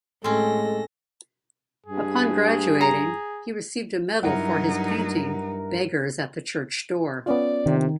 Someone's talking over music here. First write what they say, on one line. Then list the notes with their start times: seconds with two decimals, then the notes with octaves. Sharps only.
Upon graduating, he received a medal for his painting "Beggars at the Church Door".
0.24 A2 G#3 C4 C#4 A4 A#6
1.86 G2 G#4
2.81 A#5
4.23 G2 F#3 D#4 E4 A#4 F#5
7.26 B3 C#4 F4 D5
7.66 C3 D#3